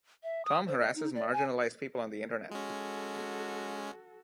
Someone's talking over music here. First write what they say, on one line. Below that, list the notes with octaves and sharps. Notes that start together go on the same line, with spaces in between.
Tom harasses marginalized people on the Internet.
E5
D#6
C5
D#5
D#4
D5
G#5
G#3 C#4 F#4 A4